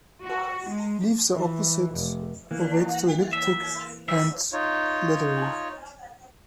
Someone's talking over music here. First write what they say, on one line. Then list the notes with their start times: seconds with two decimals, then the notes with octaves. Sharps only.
Leaves are opposite, ovate to elliptic, and leathery.
0.24 F#4
0.68 G#3
1.33 E3
1.94 F1
2.51 E3 A#3
3.33 E5
4.08 E3 G3 E5
4.53 D#4 F4 C#5